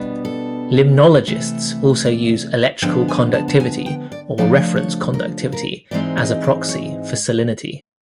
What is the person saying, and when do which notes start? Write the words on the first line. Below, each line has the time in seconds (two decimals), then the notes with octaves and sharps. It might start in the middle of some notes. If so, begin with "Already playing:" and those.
Limnologists also use electrical conductivity, or "reference conductivity", as a proxy for salinity.
Already playing: B2 G3 B3 D4
0.25 A4
1.27 C3 E3 A3
2.05 D5
2.82 D3 F3 G#3 B3 D4 G5
3.08 G#5
3.33 A5
3.48 A5
3.60 G#5
3.86 G5
4.12 D5
4.38 C#3 F3 A3 D4 F4 D5
4.76 C#5
5.14 A#4
5.52 A#4
5.91 G#2 E3 G#3 C4 D#4 D5
6.18 D#5
6.44 D5
6.69 C#5